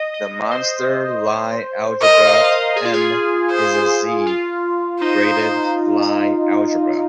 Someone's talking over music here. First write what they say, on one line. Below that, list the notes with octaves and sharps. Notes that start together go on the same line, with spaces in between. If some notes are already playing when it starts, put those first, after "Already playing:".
The monster Lie algebra "m" is a "Z"-graded Lie algebra.
Already playing: D#5
D#5
C5
A#4 D#5
F5
D#5
G#4
F4
G#4
C5
F4
D#4 C5